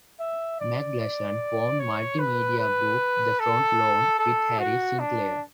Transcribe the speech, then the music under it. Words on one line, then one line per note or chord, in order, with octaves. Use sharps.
McGlashan formed multi-media group The Front Lawn with Harry Sinclair.
E5
D5
C#5
B4
B4
A4
A4
F#4
D4